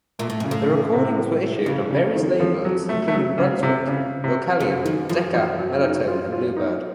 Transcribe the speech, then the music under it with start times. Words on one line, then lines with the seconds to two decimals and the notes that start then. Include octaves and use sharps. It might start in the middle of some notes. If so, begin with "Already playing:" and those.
The recordings were issued on various labels, including Brunswick, Vocalion, Decca, Melotone and Bluebird.
0.19 A#2 A3
0.30 A2
0.40 F#2 C#3
0.51 A2
0.68 C#3
0.93 C3
1.66 F2 C#3
1.90 C#3
2.15 D#3
2.40 F3
2.65 F#3
2.89 A3
3.08 A3
3.14 F#3
3.38 C#3
3.63 C3
3.87 C#3
4.24 C3
4.60 F#2 C#3
4.85 F#2 D#3
5.09 F#2 F3
5.34 F3
5.59 F#3
5.83 D#4
6.08 F4
6.32 F4
6.57 D#4